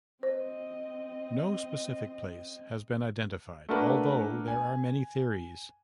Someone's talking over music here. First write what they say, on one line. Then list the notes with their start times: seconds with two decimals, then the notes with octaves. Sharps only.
No specific place has been identified, although there are many theories.
0.23 C4 C5 D#5
3.69 A3 A#3 D4 F#4 A#4 B4
4.48 G#5